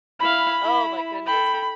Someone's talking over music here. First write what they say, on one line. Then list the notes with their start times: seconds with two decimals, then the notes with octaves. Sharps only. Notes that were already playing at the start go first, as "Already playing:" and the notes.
Oh my goodness
0.20 E4 F5 B5
0.64 E4
1.27 A4 G5 B5